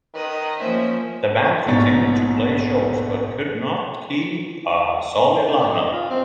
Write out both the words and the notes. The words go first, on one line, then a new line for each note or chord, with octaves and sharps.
The band continued to play shows but could not keep a solid line up.
D#3 B4 D#5
F3 A#3 C#4 C5 E5
A#1 G#2 B2 C#5 A#5 A6
D5
D#5
F4
C4